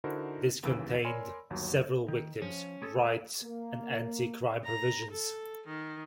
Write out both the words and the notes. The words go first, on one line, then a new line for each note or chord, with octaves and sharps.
This contained several victims' rights and anti-crime provisions.
D3 D#4 E4 F#4 A#4 C5
G1 D#2 C#3 E3 E6 D7
A#4 C#5 D5 G#5 B5 C6
G1 D#2 F#3
D#3
F3 C#4
A3 G#4 A4
A#3
A#5
A4
D#3